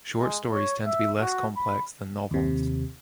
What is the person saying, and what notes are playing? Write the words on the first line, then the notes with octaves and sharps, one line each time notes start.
Short stories tend to be less complex than novels.
G#3
C#5
E5
F#4
B5
D#2 C3